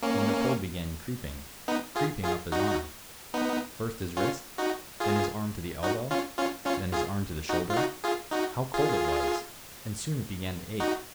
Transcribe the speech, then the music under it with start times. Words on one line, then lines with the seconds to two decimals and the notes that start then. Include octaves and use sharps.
Then the cold began creeping, creeping, up his arm; first his wrist, then his arm to the elbow, then his arm to the shoulder; how cold it was! And soon it began to ache.
0.02 A#3 C#4
1.68 B3 D#4
1.96 F4 G#4
2.24 F4 G#4
2.52 D#4 F#4
3.34 B3 D#4
4.17 C#4 F4
4.58 D#4 F#4
5.00 F4 G#4
5.83 D#4 F#4
6.11 C#4 F4
6.38 C#4 F4
6.66 C#4 F4
6.93 F4 G#4
7.49 D#4 F#4
7.70 F4
7.76 D#4 F#4
8.04 F4 G#4
8.31 D#4 F#4
8.74 F4 G#4
10.80 D#4 F#4